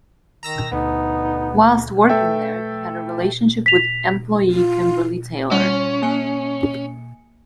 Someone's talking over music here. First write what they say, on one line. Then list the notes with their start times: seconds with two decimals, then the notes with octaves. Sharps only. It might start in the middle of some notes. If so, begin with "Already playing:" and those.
Whilst working there, he had a relationship with employee Kimberley Taylor.
0.43 D#3 A#5 E6 A#6
0.72 D2 B3 D#4
2.09 A3 A4 B4 E5 G5
3.66 B6 F7
4.51 F4
5.51 G3 C#4
6.02 A#3 G#5 C#7